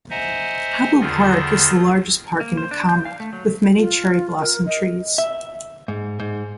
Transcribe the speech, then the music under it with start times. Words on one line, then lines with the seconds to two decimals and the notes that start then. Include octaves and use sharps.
Habu Park is the largest park in Nakama, with many cherry blossom trees.
0.10 C5 D#5 E5 F#5 G#5 A#5
1.01 E2 D3 D#3 F4 G#4 A#6
2.40 A#3
2.57 C5
2.71 D4
2.89 G6
3.05 F5
3.20 A3
3.33 F#3
3.77 F4
4.39 A#4
4.66 D#5
5.18 E5
5.88 G#2
6.20 G#2